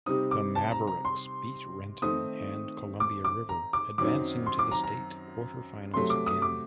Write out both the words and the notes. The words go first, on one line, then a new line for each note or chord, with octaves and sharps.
The Mavericks beat Renton and Columbia River advancing to the state quarterfinals again.
C3 G3 C4 D#4 D#6
D6
A5
A#5
A#5
C6
D#3 A3 C4 D#4 D#6
D6
D6
A#5
D6
F#2 D#3 F#3 C4 D#4 D6
C6
D6
A#5
A#5
C3 F#3 A3 C6
D6
D#6
D6